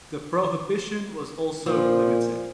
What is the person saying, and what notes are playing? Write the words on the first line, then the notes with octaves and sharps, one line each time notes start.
The prohibition was also limited.
A#2 F3